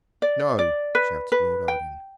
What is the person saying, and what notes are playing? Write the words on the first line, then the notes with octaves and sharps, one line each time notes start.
"No," shouted Lord Arden.
D5
D5
B4
B4
G5